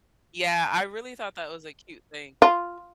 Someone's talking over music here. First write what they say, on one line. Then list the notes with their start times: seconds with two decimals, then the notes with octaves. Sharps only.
Yeah, I really thought that was a cute thing.
2.42 F4